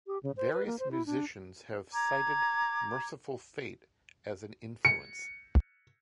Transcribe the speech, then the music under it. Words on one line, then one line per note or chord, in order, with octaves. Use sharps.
Various musicians have cited Mercyful Fate as an influence.
G4
C#3
C5
B4
A#3
C5
E4
D4
A#5 D6 G#6
C#7